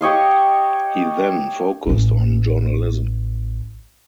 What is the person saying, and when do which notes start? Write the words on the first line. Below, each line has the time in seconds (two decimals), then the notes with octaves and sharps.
He then focused on journalism.
0.01 G4 C#5 D#5 F5
1.87 A1 C#4